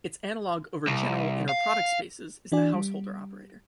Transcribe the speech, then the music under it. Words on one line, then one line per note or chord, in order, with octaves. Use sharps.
Its analogue over general inner product spaces is the Householder operator.
C2
F5
E3 D4 F#4 D5 G#5
G3